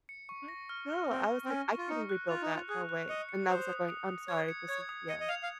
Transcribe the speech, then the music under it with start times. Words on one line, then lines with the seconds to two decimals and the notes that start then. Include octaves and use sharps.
But still, I was like, "I couldn't rebuild that. No way." And I was like going, "I'm sorry. This is" Yeah.
0.09 C#7
0.29 C#6
0.48 A#6
0.69 F6
0.89 F6
1.09 C4 F6
1.29 C#6
1.45 C4
1.49 C#4 A#6
1.69 C#6
1.78 F4
1.89 D#4 C#7
2.09 F#6
2.29 F4 F7
2.42 D#4
2.48 F7
2.55 F4
2.69 G#4 F#6
2.89 F#6
3.09 D#5 C#7
3.29 C#7
3.49 C5 D#6
3.69 D#6
3.89 D#6
4.09 D#6
4.28 C#5 G#6
4.48 C#7
4.69 C#5 G#6
4.89 D#6
5.09 D#5 C#7
5.20 D#5
5.28 F5 F7
5.43 F5